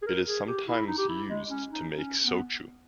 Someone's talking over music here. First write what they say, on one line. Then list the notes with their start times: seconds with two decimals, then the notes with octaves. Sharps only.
It is sometimes used to make shochu.
0.02 G#4
0.07 A#4
0.27 G#4
0.47 G4
0.68 E4
0.87 D#4
0.98 G4
1.09 E4
1.28 G#3
1.49 C#4
1.70 D#4
1.96 C#4
2.23 B3